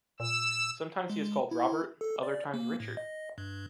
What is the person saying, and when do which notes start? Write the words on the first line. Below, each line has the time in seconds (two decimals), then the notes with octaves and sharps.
Sometimes he is called Robert, other times Richard.
0.20 A#2 E6
1.10 G#3
1.51 E4
2.01 A4
2.23 D5
2.54 A#3
2.80 A2
2.97 D#5
3.38 G2